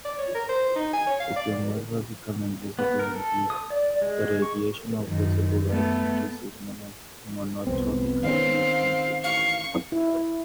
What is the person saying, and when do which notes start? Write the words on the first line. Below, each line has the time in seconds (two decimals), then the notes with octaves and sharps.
It will never become invisible-indeed, the radiation of visible light increases monotonically with temperature.
0.05 D5
0.19 C#5
0.35 A#4
0.49 C5
0.76 D#4
0.93 G#5
1.06 C#5
1.20 F5
1.36 D5
2.79 B3
2.99 A#4
3.15 A4
3.50 D#6
3.70 D5
4.02 G#3
4.42 C#6
5.06 F#2 D#3
5.68 A3 B3
7.67 C2 F2 B3 C4
8.23 D#3 C4 C#4 F5
9.24 A1 F5 C#6
9.92 E4